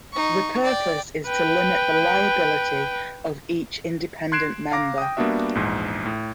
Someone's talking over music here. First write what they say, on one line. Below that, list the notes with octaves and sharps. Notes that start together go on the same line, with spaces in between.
The purpose is to limit the liability of each independent member.
D#4 C#6
D5 G5
B4 G5
C6 F#6 G#6 C7 D7 E7
F5 A#5 D6 A#6
G5 D#6
G3 A#3 B3 D4 F#4 E5
A#1 E2 G#2
A2